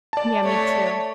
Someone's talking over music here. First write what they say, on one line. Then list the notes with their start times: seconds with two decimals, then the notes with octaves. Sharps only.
Yeah, me too.
0.13 D5 A5
0.43 A3 C#5